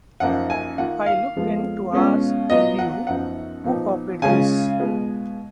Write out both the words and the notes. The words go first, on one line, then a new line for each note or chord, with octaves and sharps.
I looked in to ask you who copied this.
F#2 F3 A#3 D#4 F#5
G#5
D#3 A#3 F4 F#5
F5
F2 F3 G#3 B3 F4
B2 G#3 C#4 F4
A#2 F#3 B3 F4 D#5
F#5
F#2 F3 B3 D#4 F#5
A#2 F3 B3 D#4
C#3 G#3 C#4 F4 G#5
B2 G#3 B3 F4